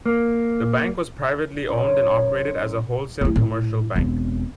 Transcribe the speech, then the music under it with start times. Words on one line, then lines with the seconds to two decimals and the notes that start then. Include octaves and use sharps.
The bank was privately owned and operated as a wholesale commercial bank.
0.06 A#3
1.68 F#2 C#4 D#4 C5
3.21 A3 E4
3.36 A2
3.96 E1 C4